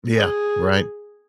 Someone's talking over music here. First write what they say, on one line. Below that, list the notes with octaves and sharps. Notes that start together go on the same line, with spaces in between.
Yeah. Right.
G#4